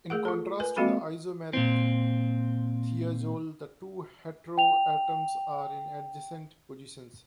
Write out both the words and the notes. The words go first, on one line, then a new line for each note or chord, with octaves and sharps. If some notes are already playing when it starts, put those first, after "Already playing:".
In contrast to the isomeric thiazole, the two heteroatoms are in adjacent positions.
A3 G#4 A#4 F#5
F4 A4
A#4 B4 G#5
G#3 A#3 C4 F#4 A4 B5
A#2 C4
G5 F7